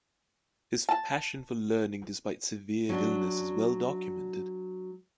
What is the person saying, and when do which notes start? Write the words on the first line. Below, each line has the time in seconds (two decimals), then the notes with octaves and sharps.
His passion for learning despite severe illness is well documented.
0.89 A5
2.89 F#3 D4